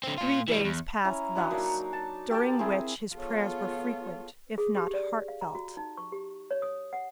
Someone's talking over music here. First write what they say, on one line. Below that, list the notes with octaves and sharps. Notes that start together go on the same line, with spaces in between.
Three days passed thus, during which his prayers were frequent, if not heartfelt.
D3 C4
A#2 F4
E3 G3
E2
C#4 E4 A#5
D4 E4 F#4 D#5
F#3 A#3 D4 D#4
A5
G4 A#4 G5 A5
C4 E4 G#4
B3 F4 G#4 A4 C#5
G#4
G4
D5
F5
A#5
F#4
D#4
C#6
G4
C#5
D#6
F#5